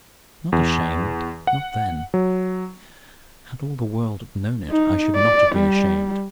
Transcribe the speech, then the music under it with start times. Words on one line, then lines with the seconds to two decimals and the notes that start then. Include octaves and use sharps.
I was not ashamed--not then. Had all the world known it I should not have been ashamed.
0.52 E2
1.47 F#5
2.14 F#3
4.69 D#4
5.16 D5
5.55 G3